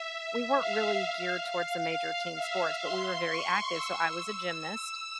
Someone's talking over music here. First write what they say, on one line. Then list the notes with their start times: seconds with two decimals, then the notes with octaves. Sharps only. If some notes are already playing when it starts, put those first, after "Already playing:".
we weren't really geared towards the major team sports, but we were very active. So, I was a gymnast,
Already playing: E5
0.59 F5
1.92 F5
2.37 E5
2.83 C6
3.28 C#6
3.72 E6
4.61 E6